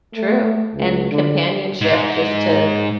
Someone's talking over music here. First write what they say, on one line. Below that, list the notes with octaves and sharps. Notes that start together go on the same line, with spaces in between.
true and companionship just to
A3
C#2
D3
G#2